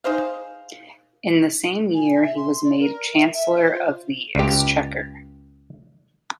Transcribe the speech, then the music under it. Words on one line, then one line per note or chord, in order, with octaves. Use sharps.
In the same year he was made chancellor of the exchequer.
D#4 G#4 C5 F5
G#5
E5
C6
D5
A#4
E5
E5
C5
F4
C#2 G4